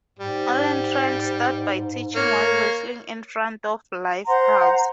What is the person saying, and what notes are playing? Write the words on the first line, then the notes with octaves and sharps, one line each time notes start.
Allen trained Studd by teaching while wrestling in front of live crowds.
G#2 G3
A#3 C#5 F6
C5 F#5 A#5 C6